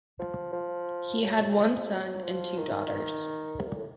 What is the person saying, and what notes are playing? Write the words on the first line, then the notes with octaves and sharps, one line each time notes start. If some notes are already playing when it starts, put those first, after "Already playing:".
He had one son and two daughters.
F3
F3
F#3
F3
F#3
F3
D#3
C3
A#2
A2